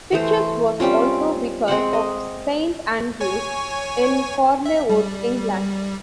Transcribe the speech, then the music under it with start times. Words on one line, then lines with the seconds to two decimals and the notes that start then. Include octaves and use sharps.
Pytches was also vicar of Saint Andrew's, in Chorleywood England.
0.12 E3 A3 C5
0.80 G3 C4 C#4 F4
1.68 G#3 C4 C5 F#5
1.93 D#5
3.20 C#5 G#5 C#6
4.66 E5
4.89 G3